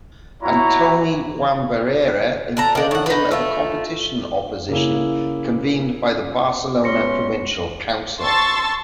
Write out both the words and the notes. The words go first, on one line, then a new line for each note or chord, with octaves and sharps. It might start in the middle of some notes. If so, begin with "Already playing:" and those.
Antoni Jaume Barrera, informed him of a competition-opposition convened by the Barcelona Provincial Council.
E4 F#4 C#5 A#5
D3 A5 A#5
D#3 D4
A2 F#5
D#4 B4
A3 F4
C#3 A#3 E4
G#3 B3 C#4 C6 A#6 C#7
A5 C6 C#6 E6 A6